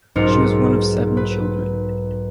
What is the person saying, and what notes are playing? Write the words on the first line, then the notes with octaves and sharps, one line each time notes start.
She was one of seven children.
B1 G#2 F4 A#4 C#7
B4